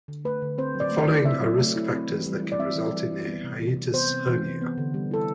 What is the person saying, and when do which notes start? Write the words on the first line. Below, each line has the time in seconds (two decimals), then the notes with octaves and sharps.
The following are risk factors that can result in a hiatus hernia.
0.08 D3
0.25 A3 B4
0.42 D3
0.58 C4 C5
0.75 F#3
0.80 D5
0.92 A3
1.03 D5
1.08 E4
1.25 C4 E5
1.42 F#3
1.59 A3
1.76 E4
1.92 C4
2.09 E3
2.26 G3
2.43 E4
2.52 D5
2.59 C4 E5
2.76 E3
2.93 G3
3.10 E4
3.27 B3
3.44 C3
3.60 E3
3.77 C3
3.94 B3 C5
4.10 C3
4.28 E3
4.45 C3
4.61 B3
4.78 D3
4.94 G3
5.11 E4 A4